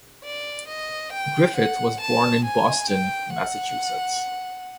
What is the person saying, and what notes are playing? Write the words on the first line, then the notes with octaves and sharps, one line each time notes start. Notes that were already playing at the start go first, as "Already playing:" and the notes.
Griffith was born in Boston, Massachusetts.
D5
D#5
G5
F#5
A5
G#5
G5
F#5